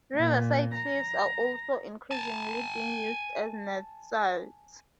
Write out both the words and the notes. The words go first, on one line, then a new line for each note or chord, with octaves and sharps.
Riverside cliffs are also increasingly being used as nest sites.
A#2
A#5
G#5 A5